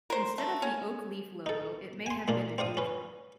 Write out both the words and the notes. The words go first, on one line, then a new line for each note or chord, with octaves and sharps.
Instead of the Oak Leaf logo it may have been a dew drop.
A#4 C5
A3
C#4
D#4 A4
G#5 C6
A#2 A#3 D4
C4 D4 F5 D#6
C#4 B4